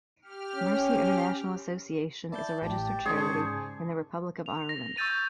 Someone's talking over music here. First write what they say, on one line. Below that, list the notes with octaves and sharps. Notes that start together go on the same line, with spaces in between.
Mercy International Association is a registered charity in the Republic of Ireland.
G4 F6
C#4
E4 D5 A5 G6
A1 G4 A5
G#2 C#3 G#4 C5 D5 C#6
F7
A#6
C#6 E6 G6 A6 D#7